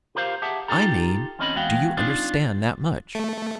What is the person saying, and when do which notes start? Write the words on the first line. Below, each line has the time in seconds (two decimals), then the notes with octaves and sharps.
"I mean, do you understand that much?"
0.15 F4 G4 A#4 C5 D#5 F5
0.42 G4 G#4 E5 F#5 A5
0.68 D#4 F4 G4 A4 A#5
1.39 E2 C4 C#4 E4 D#5 B5
1.55 E2 G#3 F#4 F5 G5
1.97 C4 D4 D#4 F4
3.15 A3